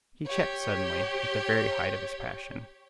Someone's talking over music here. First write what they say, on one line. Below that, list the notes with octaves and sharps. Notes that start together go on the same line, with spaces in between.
He checked suddenly at the very height of his passion.
G4 C#5